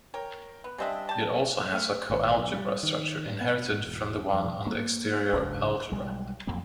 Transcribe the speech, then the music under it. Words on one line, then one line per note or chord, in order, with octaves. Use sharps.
It also has a coalgebra structure inherited from the one on the exterior algebra.
A#4 C#5 G5
B3
C#3 G3 C4 D4 D#5 E5
G4 A5
A3 F6
G#1
B1
G3
D#3
G2
B3
G#2
E1
F2
A#3
F#1 C#2 G#2 D4
B1 G3 G#3
F2 F#3 A#3 C4